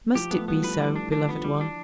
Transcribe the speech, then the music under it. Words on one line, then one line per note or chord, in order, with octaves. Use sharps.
Must it be so, beloved one?
F3 G4
A3 B3
G3 B3
F3 B4
E3 G3
D4
E3
D3 D4
B3
F3
E3 G3
F3 D4